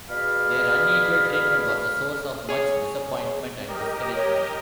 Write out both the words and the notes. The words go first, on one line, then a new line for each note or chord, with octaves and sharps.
Their unequal treatment was a source of much disappointment and discouragement.
B2 G#4 D5 F5 B5 F6
G#4 C#5
G4 A#4 D#5
C#5